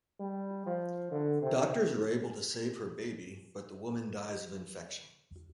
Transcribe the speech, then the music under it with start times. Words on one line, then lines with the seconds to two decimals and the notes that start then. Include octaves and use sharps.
Doctors are able to save her baby, but the woman dies of infection.
0.20 G3
0.66 F3
1.11 D3
1.42 C3